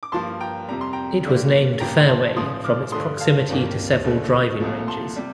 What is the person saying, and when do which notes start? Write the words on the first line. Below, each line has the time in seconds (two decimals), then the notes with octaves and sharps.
It was named Fairway from its proximity to several driving ranges.
0.03 D6
0.12 G2 F3 A#3 A5 C6
0.40 G5 A#5
0.68 F2 C3 G3 A#5
0.81 C6
0.93 G5 A#5
1.24 G2 D3 G3 A#3
1.80 A1 G2 F3 A#3 G5 A#5
2.08 A5 C6
2.36 A1 A2 F3 C6 D#6
2.64 D6 F6
2.92 G2 D3 A3 C6 D#6
3.20 F5 A5
3.48 G1 F2 D#3 G3 A#3
4.04 D#2 D3 A3
4.60 C2 A#2 F3 A3
4.88 A5 C6
5.16 C3 G3